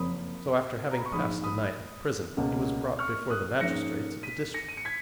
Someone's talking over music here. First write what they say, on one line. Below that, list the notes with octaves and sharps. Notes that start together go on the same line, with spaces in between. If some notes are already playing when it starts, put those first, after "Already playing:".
So, after having passed a night in prison, he was brought before the magistrates of the district.
Already playing: F#1 F2 F3 A#3 B5 D#6
A#5
B5
C#6
A#1 G#2 F3 B5 D#6
B5 D#6
C#2 B2 A#3 C#4
C#6 F6
D#6 F#6
G#2 F3 A#3 C#4 A#6 C#7
B6 D#7
A#6 C#7
D#7
C#7
G#6 B6